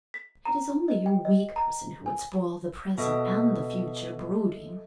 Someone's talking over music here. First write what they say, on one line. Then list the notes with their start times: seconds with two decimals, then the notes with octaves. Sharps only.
It is only a weak person who would spoil the present and the future, brooding.
0.14 B6
0.45 A#5
0.88 D#5
1.06 G5
1.25 D#5
1.56 A#5
2.06 G#5
2.98 B2 A4 D#5 E5